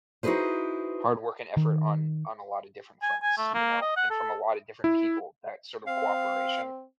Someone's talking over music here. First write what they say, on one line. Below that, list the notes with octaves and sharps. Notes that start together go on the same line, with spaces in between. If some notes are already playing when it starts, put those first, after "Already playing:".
hard work and effort on on a lot of different fronts, you know, and from a lot of different people, that sort of cooperation.
D#4 E4 F#4 G#4 B4 C5
D#3
G#5
G#5
A3
A#3
D#5
F#5
A4
E4
C4 F5